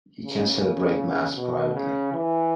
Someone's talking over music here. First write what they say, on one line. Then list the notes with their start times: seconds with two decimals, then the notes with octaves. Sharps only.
He can celebrate Mass privately.
0.25 C#3
0.62 C#3
1.37 B2
1.74 C#3
2.13 E3